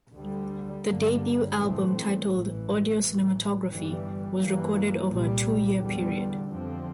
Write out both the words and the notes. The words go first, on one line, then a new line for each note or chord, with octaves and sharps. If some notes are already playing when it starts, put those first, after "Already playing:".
The debut album titled 'Audio Cinematography', was recorded over a two-year period.
D2 D3 G3
G2 D3 G3 A#3
A#1 A2 E3 A3 C4
A1 G2 E3
A1 A2 E3
G1 G2 E3 G3
G2 E3 G3 A#3
C2 A#2 G3
E2 D3 G3
F2 D3 F3 C4